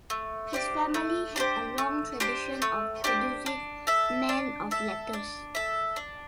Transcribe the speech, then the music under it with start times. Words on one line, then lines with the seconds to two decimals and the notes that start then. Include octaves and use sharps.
His family had a long tradition of producing men of letters.
0.10 A3
0.53 D4 G4 C5
0.94 A3
1.36 D4 G4 C5
1.78 A3
2.20 D4 G4 C5
2.62 A3
3.04 D4 G4 C5
3.46 D4
3.87 A4 E5
4.29 D4
4.71 A4 E5
5.13 D4
5.55 A4 E5
5.96 D4